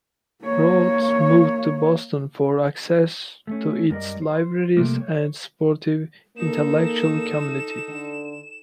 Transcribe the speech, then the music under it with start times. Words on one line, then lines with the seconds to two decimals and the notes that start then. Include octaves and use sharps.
Rhodes moved to Boston for access to its libraries and supportive intellectual community.
0.44 A#3 C#5
3.47 A3 C#4
3.90 F#2 G3 A#4 D5 D#5
4.22 C5
4.77 C3 F3 G3 A3 A#3
5.00 C#5
6.37 A#3 D#4 A4 E7
7.88 D3